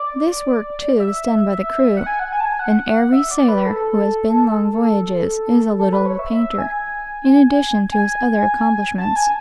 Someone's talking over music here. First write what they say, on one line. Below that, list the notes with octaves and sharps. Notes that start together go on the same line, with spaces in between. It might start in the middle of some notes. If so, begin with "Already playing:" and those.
This work, too, is done by the crew, and every sailor who has been long voyages is a little of a painter, in addition to his other accomplishments.
Already playing: D5
E5
F#5
G#5
F#5
G#5
A5
G#5
F#5
E5
D5
B4
A4
A4
A4
B4
C#5
E5
E5
G#5
G#5
A5
G#5